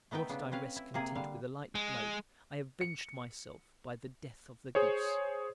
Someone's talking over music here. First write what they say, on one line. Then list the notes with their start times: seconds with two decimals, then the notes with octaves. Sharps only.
Nor did I rest content with a light blow, I avenged myself by the death of the goose.
0.11 A3 B3 D#4 B4 G5
0.29 C#3 B3 D4
0.52 C4 C#4 B4 F5
0.76 E4
0.94 C3 A#3 G#4 A#4
1.15 D3 G3 F5
1.75 G#3
2.81 C#7
4.75 G#4 C5 C#5